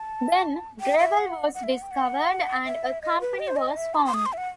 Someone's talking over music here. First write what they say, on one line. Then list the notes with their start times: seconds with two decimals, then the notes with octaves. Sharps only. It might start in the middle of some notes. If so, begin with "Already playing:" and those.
Then, gravel was discovered and a company was formed.
Already playing: A5
0.81 G5
0.99 E5
1.17 F#5
1.54 F#5
1.64 E5
1.73 F#5
1.82 G5
1.91 F#5
2.65 E5
3.02 D#5
3.21 B4
3.39 D#5
3.47 C5
3.56 D#5
3.77 E5
3.94 C6
4.06 C6
4.14 D#6
4.26 C6
4.33 E5
4.38 F#5